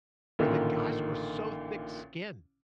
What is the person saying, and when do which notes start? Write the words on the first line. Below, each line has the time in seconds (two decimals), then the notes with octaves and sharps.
are that guys were so thick-skinned.
0.39 A1 A#2 D3 D#3